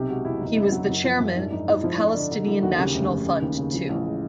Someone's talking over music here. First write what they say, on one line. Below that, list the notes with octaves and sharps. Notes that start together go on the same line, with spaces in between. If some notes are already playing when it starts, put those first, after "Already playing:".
He was the chairman of Palestinian National Fund too.
Already playing: B1 C3 G4
G#3 F#4
E2 E4
F#1 D#4
C#3 E4
F#3 D#4
F#2
F3
F#2
G#2 D4
G#2 D#4
G#2 E4
D#4
F3 E4
D4
F3 D#4
D3 D4
D3 D#4
F#3 E4
D#2 F#4
C#3 G4
F1
F1
C#3
D#2
C#3
F3
A1
G#3